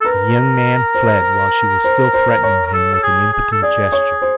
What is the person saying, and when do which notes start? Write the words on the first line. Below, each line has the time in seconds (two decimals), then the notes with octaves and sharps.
The young man fled while she was still threatening him with an impotent gesture.
0.01 A4
0.05 A#4 B4
0.95 C5
1.84 C5
2.14 C5
2.43 C#5
2.67 A#4
2.73 A4
2.94 A4
3.03 G#4
3.32 G#4
3.52 A4
3.62 G#4 D5
3.92 C#5
4.22 C5